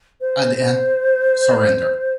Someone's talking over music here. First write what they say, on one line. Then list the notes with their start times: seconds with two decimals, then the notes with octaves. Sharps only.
At the end: surrender.
0.21 C5
0.56 C5